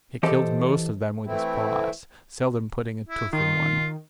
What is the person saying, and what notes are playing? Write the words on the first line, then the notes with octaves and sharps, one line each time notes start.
He killed most of them with his paws, seldom putting a tooth in one.
E3 G4 A4 C5 D#5
E3 A3 C4 E4
E4
D#3 F4